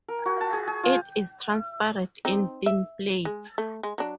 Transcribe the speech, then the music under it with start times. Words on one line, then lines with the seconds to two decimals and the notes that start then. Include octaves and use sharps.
It is transparent in thin plates.
0.09 A#4
0.26 F#4
0.41 A5
0.53 G#4
0.67 G#4
0.84 F4
2.25 C4 D#4
2.66 E5
3.25 G#3
3.58 A3
3.83 G#3
3.98 F#3 D4